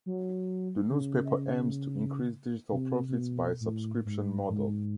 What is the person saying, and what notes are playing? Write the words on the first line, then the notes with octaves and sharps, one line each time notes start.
The newspaper aims to increase digital profits via a subscription model.
F#3
D3
C#3
C3
C3
B2
A2
G#2
G#2